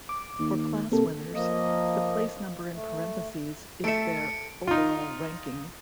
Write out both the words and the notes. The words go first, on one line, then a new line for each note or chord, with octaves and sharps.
For class winners, the place number in parenthesis is their overall ranking.
D6
D#2
C3 A#3 A4
F3 A#3 D#5
A3
A3 A4 E5 C#7 D7
D#4 F4